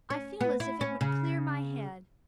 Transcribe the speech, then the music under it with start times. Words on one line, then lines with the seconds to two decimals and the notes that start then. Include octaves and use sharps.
"I feel as if it would clear my head."
0.10 C#4
0.41 B3
0.60 E4
0.81 C#4
1.01 C#3